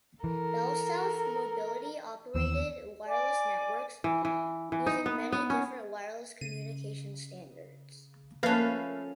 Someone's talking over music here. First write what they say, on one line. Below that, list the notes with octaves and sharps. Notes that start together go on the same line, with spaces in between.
BellSouth Mobility operated wireless networks using many different wireless communication standards.
E3 A4 A#4
D#2 E3 B3 E6
D5 G#5 D6
E3
E3
E3
D#4
B3
B3
C#4
C#3 D#7
F3 A3 A#3 C#4 B4 F5